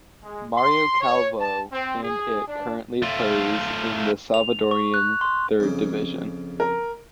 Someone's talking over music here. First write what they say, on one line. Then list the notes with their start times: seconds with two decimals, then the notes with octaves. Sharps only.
Mario Calvo and it currently plays in the Salvadoran Third Division.
0.23 G#3
0.55 C6
1.01 C#5
1.40 A5
1.73 C4
2.03 G#4
2.47 D4
3.02 A3 F4
4.34 F7
4.71 C#6
4.94 F#6
5.21 C6
5.60 F2 C#3
6.60 A#4